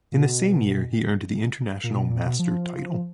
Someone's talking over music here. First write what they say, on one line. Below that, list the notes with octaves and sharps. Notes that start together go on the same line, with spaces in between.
In the same year he earned the International Master title.
A#2
B2
A#2
B2
A#2
B2
F3